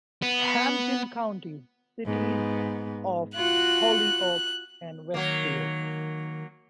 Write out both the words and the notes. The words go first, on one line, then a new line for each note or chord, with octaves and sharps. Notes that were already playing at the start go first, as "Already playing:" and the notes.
Hampden County: Cities of Holyoke and Westfield.
B3
G#2 B3
F4 F#4 F#6
D#3 F#3 A#3